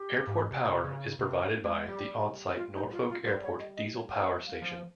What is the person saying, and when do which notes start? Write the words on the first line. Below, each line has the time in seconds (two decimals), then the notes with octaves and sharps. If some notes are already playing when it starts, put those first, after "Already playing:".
Airport power is provided by the onsite Norfolk Airport Diesel Power Station.
Already playing: G4
0.27 G#2
0.51 C3
0.84 C#3
1.19 C3
1.64 G#3
1.87 G3 G4
2.57 F4
2.74 D#4
2.91 F4
3.09 F4
3.25 G3 C5
3.43 C#5
3.59 D#5
3.76 D#5
3.94 C#5
4.12 C#5
4.28 D#5
4.46 F5
4.62 F3